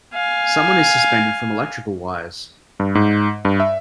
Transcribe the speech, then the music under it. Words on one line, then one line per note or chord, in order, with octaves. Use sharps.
Someone is suspended from electrical wires.
F5 G#5
G2
G#2
G2
E5